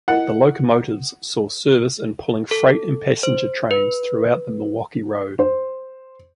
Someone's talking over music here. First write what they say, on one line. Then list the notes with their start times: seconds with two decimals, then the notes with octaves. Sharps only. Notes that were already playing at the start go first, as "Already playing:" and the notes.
The locomotives saw service in pulling freight and passenger trains throughout the Milwaukee Road.
0.08 E4 A#4 D#5 F#5
2.51 A4
3.23 C5
3.71 B4
5.39 C5